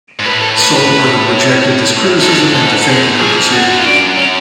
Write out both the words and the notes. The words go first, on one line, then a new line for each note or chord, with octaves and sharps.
Solberg rejected this criticism and defended her decision.
G#2
A2 B4
A4
B4
B4
G#2 A4
A4
A4
F#2 G#4
F2 G#4
F#2 F#4
F#4
F4
D4
C#4